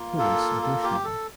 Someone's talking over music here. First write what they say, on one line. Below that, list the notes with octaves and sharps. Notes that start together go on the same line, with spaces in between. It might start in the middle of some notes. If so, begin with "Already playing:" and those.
Horace Bushnell.
Already playing: A#3 F4
A4
A4
G4
A4